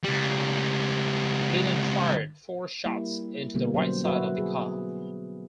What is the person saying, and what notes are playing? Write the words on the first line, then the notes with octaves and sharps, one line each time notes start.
He then fired four shots into the right side of the car.
C#2 G3
G3 A#3 E4
B2 D3 G3 A#3 B3
F#3 C#4 C5
F#3 F#4 B4 E5
G#4